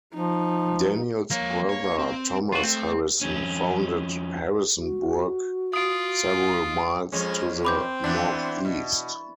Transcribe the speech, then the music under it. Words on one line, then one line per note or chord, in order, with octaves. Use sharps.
Daniel's brother Thomas Harrison founded Harrisonburg several miles to the northeast.
F3 D#4
F3 A#3 C#5
C#5
C4
B3 F4 F#4 C#5
A3 C4
F2 C#4
F#4
F4 D#6 D7
F2 G#3 C#4
C4 B5 D6 G6
E3 B3 D4
B2